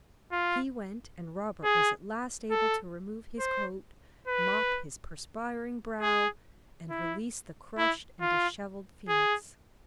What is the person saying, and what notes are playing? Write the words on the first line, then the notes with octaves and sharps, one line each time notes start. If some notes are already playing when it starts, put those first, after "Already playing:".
He went, and Robert was at last able to remove his coat, mop his perspiring brow, and release the crushed and dishevelled Phoenix.
F4
G#4
A4
C5
B4
G#4
E4
E4
F4
G#4